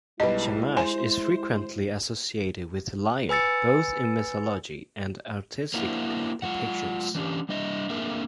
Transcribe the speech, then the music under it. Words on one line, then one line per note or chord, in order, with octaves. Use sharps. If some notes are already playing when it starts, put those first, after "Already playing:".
Shamash is frequently associated with the lion, both in mythology and artistic depictions.
B1 G3 G#3 E4 G4 B4 D#5
C5 G#5
B4 G#5 E6 A6 C#7
A#3 C4 D4 E4 F#4
G#3 F4 F#5
E3 C#4 D4 G4
G3 D4 D#5 E5
A#3 C4 D4 G#4 A#4 E5